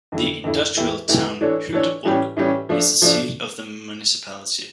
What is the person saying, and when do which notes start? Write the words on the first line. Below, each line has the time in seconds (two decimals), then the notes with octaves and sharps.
The industrial town Hyltebruk is the seat of the municipality.
0.12 F2 D3 A3 E4
0.44 F2 D3 A3 E4
0.77 E2 E3 A3 E4 G4
1.08 E2 E3 A3 E4 G4
1.41 E3 A3 D4 A4 C#5
1.73 E3 A3 D4 A4 C#5
2.05 A2 E3 G3 C#4 G4
2.37 A2 E3 G3 C#4 G4
2.69 F3 A3 D4
3.02 F3 A3 D4